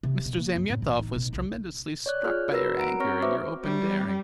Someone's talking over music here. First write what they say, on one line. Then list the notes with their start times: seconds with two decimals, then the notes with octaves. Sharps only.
Mr. Zametov was tremendously struck by your anger and your open daring.
0.03 C3
0.26 B2
0.37 A#3
0.56 F#2
0.70 A2
0.82 A1
0.99 D#4
1.16 B2
1.33 C2
2.06 C#5 D5 F#6
2.24 F4 G#4 C#5 F6
2.51 F#4 A#4 B4 E6 A#6
2.77 F#5 A#5 D7
3.00 C4 C#5 C#6 F6 A#6
3.22 F#4 B4 C5 E5 D6
3.64 G3